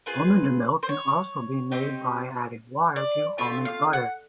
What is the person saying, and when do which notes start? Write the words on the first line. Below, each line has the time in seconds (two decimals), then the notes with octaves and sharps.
Almond milk can also be made by adding water to almond butter.
0.06 C4 F4 G#4 B4
0.83 C5
0.89 C#5
1.71 C4 D#4 G4
2.96 D5
3.38 A3 C4 F4 E5
3.65 F5
3.93 F#5